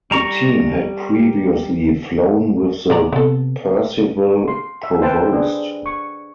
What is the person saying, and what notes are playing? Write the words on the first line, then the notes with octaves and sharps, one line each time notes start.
The team had previously flown with the Percival Provost.
G3 A#5 C#6
A#2 G#3 D5 A#5
C3 B3 A4
C6
E5
B4 C5 E5 G5 A5
D4 G#4
C#6